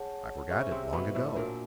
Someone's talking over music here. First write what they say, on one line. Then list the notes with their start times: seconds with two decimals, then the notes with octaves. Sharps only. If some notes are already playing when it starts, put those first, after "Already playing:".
"I forgot it long ago."
Already playing: G#4 C#5 F#5 A5
0.50 C#3 C#4 G#4 C5 E5
0.71 C3 C4
0.93 B2 B3
1.15 A2 A3
1.36 A#2 A#3 D4 F#4 A#4